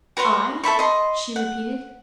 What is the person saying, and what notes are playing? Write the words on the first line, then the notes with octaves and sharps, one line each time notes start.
"I?" she repeated.
F#4 B4 C#5 C6
A4 E5 B5 C#6
D#5 C6
F#5